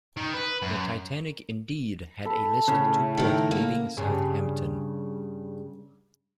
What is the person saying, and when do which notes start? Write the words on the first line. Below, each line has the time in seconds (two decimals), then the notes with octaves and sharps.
The "Titanic" indeed had a list to port leaving Southampton.
0.17 D#3
0.33 B4
0.62 F#2
2.25 A4 B5
2.68 A2 C#3
3.17 D#3 A#4
3.51 A#3
3.97 G2 C#3